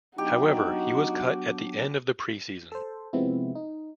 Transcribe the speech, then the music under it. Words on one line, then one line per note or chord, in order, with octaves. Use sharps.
However he was cut at the end of the preseason.
F#3 B3 D4 D#4 F#4 G4
A4 C5
C3 F3 G#3 B3 C4 E4
D#4